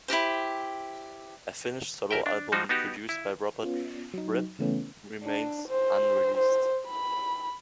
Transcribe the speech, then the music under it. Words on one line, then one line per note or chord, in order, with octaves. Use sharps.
A finished solo album, produced by Robert Fripp, remains unreleased.
E4 F#4 G4 C5
A#1 A#4 E5 G5
D4
F3 G3 D#4 F#4 C5
B3 D#4 F#4 G4
E4
B3 C#4 F4
F#3 D#4
C#3 E3 A3 B3 C#4
D4
C5
C5
B5